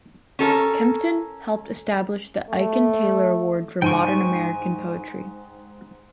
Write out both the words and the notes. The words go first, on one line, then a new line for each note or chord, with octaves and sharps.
Kempton helped establish the Aiken Taylor Award for Modern American Poetry.
C#4 A4 A#4
A3
G#2 G5 G#5 C#6